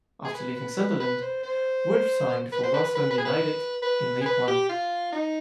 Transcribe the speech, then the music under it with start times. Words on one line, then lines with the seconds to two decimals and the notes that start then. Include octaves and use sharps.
After leaving Sunderland, Woods signed for Rotherham United in League One.
0.25 G#4
0.35 B4
0.57 B4
0.78 B4
1.00 B4
1.22 C5
1.43 C5
2.52 B4
2.63 C5
2.74 B4
2.84 B4
2.95 B4
3.10 B4
3.18 G#4
3.25 B4
3.82 B4
4.21 G#4
4.26 B4
4.48 G4
4.69 F4
5.12 D#4